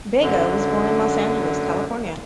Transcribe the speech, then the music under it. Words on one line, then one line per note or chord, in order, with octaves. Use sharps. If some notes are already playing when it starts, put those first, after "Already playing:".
Vega was born in Los Angeles, California.
F#2 D3